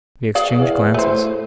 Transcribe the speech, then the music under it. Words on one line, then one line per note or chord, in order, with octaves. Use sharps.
We exchanged glances.
G#4 D5 F5
E2
A2 A3 C5